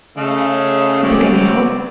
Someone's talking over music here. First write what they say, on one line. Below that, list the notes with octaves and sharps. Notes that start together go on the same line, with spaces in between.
You think I may hope?
C#3 A3 D#5 F5
F#3 C4 D5